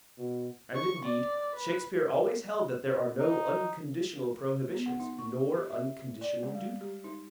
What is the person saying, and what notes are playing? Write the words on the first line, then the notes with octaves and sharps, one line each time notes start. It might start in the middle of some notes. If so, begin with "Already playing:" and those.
And indeed, Shakespeare always held that there are no unconditional prohibitions, nor unconditional duties.
B2
C#6
D5
B4
D#4
B3
F#5
D#4
C#6
G4
E5
D5
G#3
G3
G4
D#4